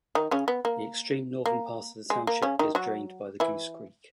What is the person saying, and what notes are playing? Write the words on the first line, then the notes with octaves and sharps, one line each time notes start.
The extreme northern part of the township is drained by Goose Creek.
D#3 D#4
C#3 C#4
B3
A#3
A#3
G#3
A#3
C#3 C#4
D#3 D#4
F#3 F#4
E3 E4